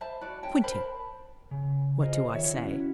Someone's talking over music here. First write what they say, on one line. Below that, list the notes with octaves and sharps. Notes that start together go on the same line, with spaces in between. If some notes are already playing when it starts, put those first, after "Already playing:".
Twenty! what do I say?
C5 E5 A5 B5
F#4 D5
C#4 G5 A5
A#4 C5 A5 B5
C#3
F4 G#4 A#4 C5 D#5
D#3 C#5 E5
C#4 E4 F#4